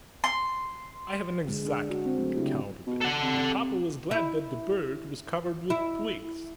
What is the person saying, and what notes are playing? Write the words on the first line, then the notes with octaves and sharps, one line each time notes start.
I have an exact account of it. The papa was glad that the birch was covered with twigs.
C6
D3 G#3 G#4
D4
F#4
C4
F#3 A3
C#3 D4 E4 G4
B2
A4 F#5
C3
E4
E4